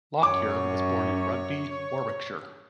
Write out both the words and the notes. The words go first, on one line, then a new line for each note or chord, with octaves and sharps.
Lockyer was born in Rugby, Warwickshire.
F#2 C#5 D6